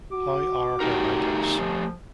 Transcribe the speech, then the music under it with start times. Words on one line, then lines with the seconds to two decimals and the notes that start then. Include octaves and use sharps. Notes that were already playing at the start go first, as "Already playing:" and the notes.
How are her vitals?
0.12 F#4 D6
0.80 A3 D#4 G4 A#4
1.60 F3